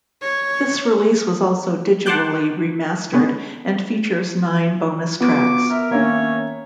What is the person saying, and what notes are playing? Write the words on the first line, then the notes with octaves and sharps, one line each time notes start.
This release was also digitally remastered, and features nine bonus tracks.
C#5
F#5 A5 C6 D6 F#6 G6
C3 G#3 B3 C#4
B3 F4 F#4 D6
A#4 E5
D#3 A#3 C#4 C#5 E5